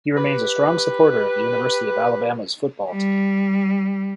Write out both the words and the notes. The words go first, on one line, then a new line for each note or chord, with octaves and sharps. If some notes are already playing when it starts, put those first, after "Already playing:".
He remains a strong supporter of the University of Alabama's football team.
G4 B4
G3